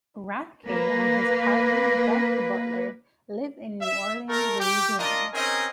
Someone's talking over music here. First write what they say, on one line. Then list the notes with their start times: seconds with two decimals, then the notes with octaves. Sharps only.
Rathke and his partner, Beth Butler, live in New Orleans, Louisiana.
0.67 A#3 B4
3.81 E5
4.28 A3 A#4
4.60 G4
4.98 D4 F4 A#4 D#5
5.33 C4 C#4 D#4 G#4 A#4 D#5